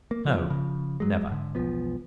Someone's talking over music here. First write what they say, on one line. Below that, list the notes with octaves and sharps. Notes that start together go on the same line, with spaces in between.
"No, never."
A#3
C#3 F3
C#3 F3
F#3 G#3
G#2 D3
E1 B1 F3 B3